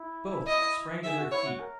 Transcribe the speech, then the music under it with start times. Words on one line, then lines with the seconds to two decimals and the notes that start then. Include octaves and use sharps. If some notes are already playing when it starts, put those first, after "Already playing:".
Both sprang to their feet.
Already playing: E4
0.47 D#5
1.03 G#4 E5
1.18 F#4
1.31 E4 C#5
1.45 F#4
1.60 A#4